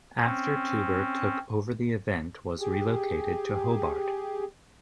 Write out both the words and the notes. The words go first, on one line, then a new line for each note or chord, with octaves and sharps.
After Touber took over the event was relocated to Hobart.
C4 C#4
G4 G#4